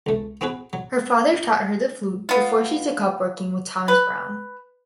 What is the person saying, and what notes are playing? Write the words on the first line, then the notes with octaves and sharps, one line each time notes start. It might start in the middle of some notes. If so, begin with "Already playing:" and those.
Her father taught her the flute before she took up working with Thomas Brown.
C#2 A3
B3 C4 F#4 G#4 B4
F#3
B3 F4
B4